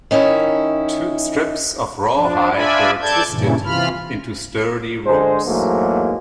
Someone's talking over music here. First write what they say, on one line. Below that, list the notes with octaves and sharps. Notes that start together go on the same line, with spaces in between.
Strips of rawhide were twisted into sturdy ropes.
D#3 C#4 D#4 E4
F3 D4
D4 F4 D5 E5 G#5 B5
A4 D5 A5 G6 G#6
G2 A#2 C#3 E3
C3 E3 F4 B5 F6
D3 G#3 C5
E2 G#2 F#3 A3 A#3